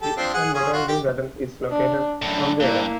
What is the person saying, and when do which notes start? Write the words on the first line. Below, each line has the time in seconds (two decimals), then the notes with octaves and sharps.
The Aswan Botanical Garden is located on the island.
0.02 G4 A4
0.16 F3 C4 D4
0.33 G#4 F#5
0.54 C#4 F4 G#4
0.73 F4 F#4
0.88 G4
1.70 D4
2.22 F#2 A2 D4
2.60 G2 A#3 E4